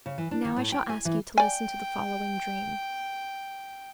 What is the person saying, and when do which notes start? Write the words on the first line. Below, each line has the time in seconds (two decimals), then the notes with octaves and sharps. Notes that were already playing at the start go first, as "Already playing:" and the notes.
And now I shall ask you to listen to the following dream.
0.06 C#3
0.18 E3
0.31 D4
0.45 D#3
0.56 A2
0.72 G5
0.89 G#5
1.05 E3
1.38 D5 G5 G#5